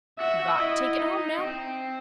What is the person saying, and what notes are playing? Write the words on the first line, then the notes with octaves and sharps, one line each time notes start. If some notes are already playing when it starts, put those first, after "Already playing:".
Got take it home now.
F#4 E5
F#4
E4 D#5
D#4
C4